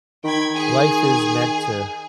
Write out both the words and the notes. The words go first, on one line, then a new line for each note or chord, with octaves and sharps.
life is meant to,
D#3 G5 B5 G#6
G#4 G#5